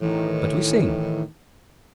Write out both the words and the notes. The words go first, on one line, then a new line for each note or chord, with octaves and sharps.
But we sing.
A2 D#3 E3